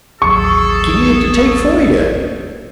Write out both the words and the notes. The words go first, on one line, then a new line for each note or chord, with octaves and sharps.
'Gimme it to take for you.
A1 D#2 F#3 G#4 A4 C#6